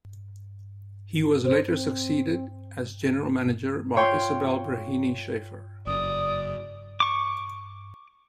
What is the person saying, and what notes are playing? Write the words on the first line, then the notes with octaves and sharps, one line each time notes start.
He was later succeeded as General Manager by Isobel Breheny Schafer.
C5
C4
F4 C#5 G5 C6 C#6
F#1 D5 D#6
C#6 D6